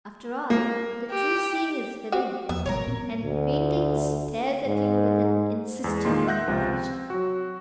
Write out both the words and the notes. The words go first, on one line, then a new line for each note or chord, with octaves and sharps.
After all, the true seeing is within; and painting stares at you with an insistent imperfection.
A#3
G4
F#4 G4
E2 F3 B3 E5
G#1 B2 G3 A#4 C5 C#5
A#2 B3 C4
D2
G#2
E2 G#3
A#2 D#3 G#3 A#3 C6
E5 F#5 F#6 G6 A#6
C#2 C3 F3
C4
F#3 F#4